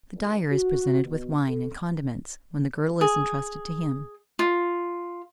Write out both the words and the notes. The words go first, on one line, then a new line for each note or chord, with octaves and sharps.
The dyer is presented with wine and condiments when the girdle is entrusted to him.
G1
F#4
B2
A4
G#4
F4